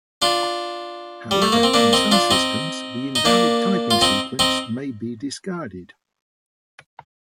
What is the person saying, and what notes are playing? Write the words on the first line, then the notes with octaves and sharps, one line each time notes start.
However, in some systems, the invalid typing sequence may be discarded.
D4 F4
G3
A3
A#3
C4
A#3 D4
C4 D#4
D4 F4
C4 D#4
D#4
A#3 D4
F4
C4 D#4
C4 D#4